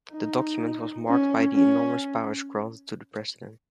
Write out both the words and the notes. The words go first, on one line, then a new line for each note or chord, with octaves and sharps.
The document was marked by the enormous powers granted to the president.
D#4
C#4
C#4